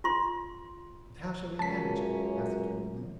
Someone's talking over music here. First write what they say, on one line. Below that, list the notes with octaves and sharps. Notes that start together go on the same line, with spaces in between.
'But how shall we manage it,' asked one of them.
F4 C6
C#2 F#2 A#3 C#4 A5 B6